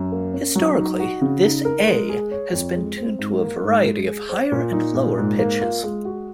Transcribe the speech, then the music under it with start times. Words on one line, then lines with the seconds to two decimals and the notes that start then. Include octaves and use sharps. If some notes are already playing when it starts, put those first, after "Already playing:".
Historically, this A has been tuned to a variety of higher and lower pitches.
Already playing: F#2
0.12 A#3
0.34 C#4
0.56 F#3
0.77 D#4
1.00 F#4
1.21 C#3
1.43 D#4
1.65 A#4
1.87 G#3
2.09 G#4
2.31 C#5
2.53 F2
2.75 G#3
2.97 C4
3.19 G#2
3.41 A#3
3.63 G#2
3.86 G#3
4.07 G#4
4.29 C5
4.52 A#2
4.73 D#4
4.95 A#2
5.18 G#2
5.39 A#3
5.61 F4
5.83 G#3
6.05 F#4